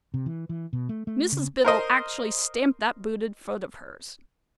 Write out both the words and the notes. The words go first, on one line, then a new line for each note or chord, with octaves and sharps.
Mrs Biddle actually stamped that booted foot of hers.
C3
E3
E3
B2
A3
A3
C#3
A#4 C5 D#5